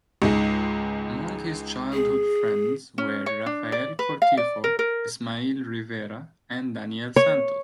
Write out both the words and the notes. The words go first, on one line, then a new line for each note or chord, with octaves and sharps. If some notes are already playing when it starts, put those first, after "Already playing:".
Among his childhood friends were Rafael Cortijo, Ismael Rivera and Daniel Santos.
C#2 G#2 G#3
G#4
C#4
C#5
D4
D5
B4
F5
D5
A#4
A#4
C#5